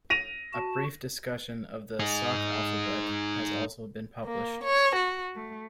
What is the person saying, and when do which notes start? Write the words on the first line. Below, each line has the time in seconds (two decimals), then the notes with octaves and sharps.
A brief discussion of the Sauk alphabet has also been published.
0.10 A#6 D#7 F7
0.53 F#4 A5
2.00 D#4 G#4
4.24 A#3
4.63 C#5
4.94 F#4
5.34 A3